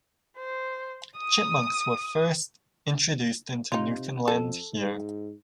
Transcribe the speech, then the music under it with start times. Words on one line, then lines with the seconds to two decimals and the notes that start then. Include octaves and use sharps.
Chipmunks were first introduced into Newfoundland here.
0.38 C5
1.18 D#6
3.72 C3 D#4 F4
4.28 F2 A4
4.73 G#2